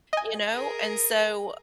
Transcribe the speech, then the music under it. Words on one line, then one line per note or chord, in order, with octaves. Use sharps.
you know? And so,
D#5 G#5
G#4 A#4